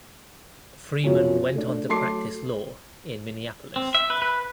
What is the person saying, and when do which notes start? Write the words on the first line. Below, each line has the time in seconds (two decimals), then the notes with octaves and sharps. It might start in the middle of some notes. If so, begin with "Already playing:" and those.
Freeman went on to practice law in Minneapolis.
1.03 F#2 B2 F3 F#3 C#4
1.55 A3 D4
1.89 F#3 A3 A5 C6 D6 C7
3.76 C4
3.95 E5
4.10 B4
4.22 B4